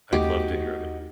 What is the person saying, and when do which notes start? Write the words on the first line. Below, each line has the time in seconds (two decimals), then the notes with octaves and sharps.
I'd love to hear it.
0.13 D#2 A3 D#4 F#4 G4